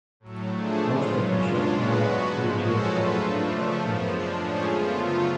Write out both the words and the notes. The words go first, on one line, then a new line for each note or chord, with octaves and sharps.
Most betting shops now offer free tea and coffee to attract punters.
A2 F#3 A3
F3 A3 D4 G#4
A2 G#3 B3 F4
F#2 C#3 F#3 C#4
B2 G#3 D4 F4
C#3 G#3 B3 F#4 B4
D3 F#3 B3 F#4
G#2 F3 G#3
F3 G#3 C#4 F#4 A4
F#3 A3 F4 B4
F3 A3 D4
C#3 F3 A3
F#2 F3 B3
F3 G#3 D4
A2 F3 A3 C#4 G#4
F#2 D3 F3 B3 F4
C#3 F#3 A3 F4